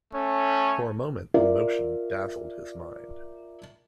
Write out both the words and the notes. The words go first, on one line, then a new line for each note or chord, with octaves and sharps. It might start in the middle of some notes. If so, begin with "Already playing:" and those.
For a moment, the motion dazzled his mind.
A3 C#4
F4 A#4 D5 E5